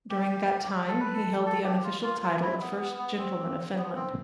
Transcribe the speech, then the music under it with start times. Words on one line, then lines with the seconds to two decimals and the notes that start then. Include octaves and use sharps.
During that time, he held the unofficial title of First Gentleman of Finland.
0.10 G4
0.88 A4
1.00 B4
1.14 A4
1.46 A4
1.64 G4
1.84 F4
2.03 F4
2.22 F4
2.42 E4
2.61 B3
2.80 B3
2.99 B3
3.19 C4
3.77 B3
3.95 C4